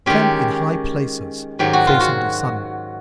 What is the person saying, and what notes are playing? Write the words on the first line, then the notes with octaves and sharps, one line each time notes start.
Camp in high places, facing the sun.
D#3 G#3 C#4 G4
G#2 D#3 F#3 G4
F#4
F4
F#4